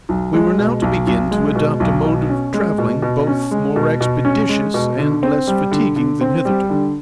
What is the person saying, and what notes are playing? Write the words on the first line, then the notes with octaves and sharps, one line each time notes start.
We were now to begin to adopt a mode of travelling both more expeditious and less fatiguing than hitherto.
B1
G#3
B2
B1
B1
G#3
B2
B1
B2
C#4
G#3
B2
B2
C#4
G#3
B2
B2
C#4
G#3
B2
D3
C4
G3
D3
D3
C4
G3
D3